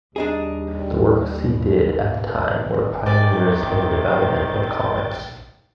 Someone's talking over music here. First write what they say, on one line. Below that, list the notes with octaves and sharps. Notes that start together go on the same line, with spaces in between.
The works he did at that time were pioneers in the development of comics.
D#2 G3 D4 D#4 G#4
C3 D#3 D5 G5 G#5 A6